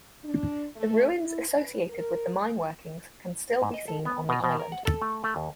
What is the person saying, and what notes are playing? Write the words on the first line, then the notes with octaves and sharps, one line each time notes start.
The ruins associated with the mineworkings can still be seen on the island.
D4
A3
E4
B4
A#4
G#2
D#5
A4
B3
B2
B2
A#4
F#5
A4
A3
A3
D#2